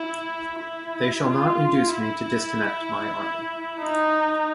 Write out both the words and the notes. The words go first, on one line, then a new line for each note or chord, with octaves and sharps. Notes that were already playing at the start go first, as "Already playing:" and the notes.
They shall not induce me to disconnect my army.
Already playing: E4
E4
F4
E4
D#4